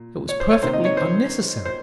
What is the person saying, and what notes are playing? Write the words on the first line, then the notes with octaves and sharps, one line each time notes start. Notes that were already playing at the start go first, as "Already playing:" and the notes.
It was perfectly unnecessary.
Already playing: A#2
C#5
C5
C#5
C3 D#3 A#3 C5
D#5
C#5
C5
C5